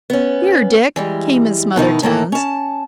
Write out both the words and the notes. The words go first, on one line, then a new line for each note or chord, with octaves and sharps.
"Here, Dick," came in smothered tones.
B3 C#4
E3 G3 G#3
B2 D#3 D#4 E4
A2 D#3 A#3 A4
C#4 A5